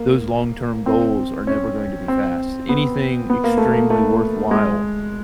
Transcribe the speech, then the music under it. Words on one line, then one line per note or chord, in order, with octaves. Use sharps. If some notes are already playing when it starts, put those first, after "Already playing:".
those long-term goals are never going to be fast. Anything extremely worthwhile
Already playing: A#3
C4
C#4
C4
B3
B3
A#3
A3
A#3
A3
G#3